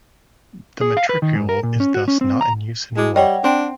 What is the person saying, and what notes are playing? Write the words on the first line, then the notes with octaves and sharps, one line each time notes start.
The matricule is thus not in use anymore.
G#4
F5
B4
D#3
G#2
A#4
A#2
C#4
F#4
C#4
C4
A#5
G#3 E4 F#4 D6
G3 C#5 D#5 F#5 G5
C4 D4